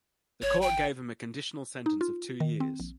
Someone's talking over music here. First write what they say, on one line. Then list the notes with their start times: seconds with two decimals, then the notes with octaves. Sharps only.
The court gave him a conditional sentence of two years.
0.42 G#1 C#5
0.61 G5
1.86 D#4
2.01 F4
2.40 D#3
2.60 C4
2.80 A#1